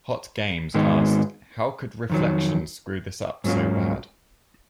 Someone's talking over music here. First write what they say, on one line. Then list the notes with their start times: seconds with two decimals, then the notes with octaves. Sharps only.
Hot Games asked, How could Reflections screw this up so bad?
0.74 G#2 D#3 G#3 B3 D#4
2.10 F2 D#3 F#3
3.44 G#2 F#3 A#3 C#4 F4